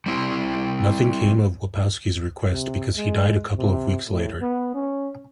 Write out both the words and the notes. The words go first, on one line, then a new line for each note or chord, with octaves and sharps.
Nothing came of Wapowski's request, because he died a couple of weeks later.
G3 C4 E4 G4
C3
G#3
C3
A2
B3
C#4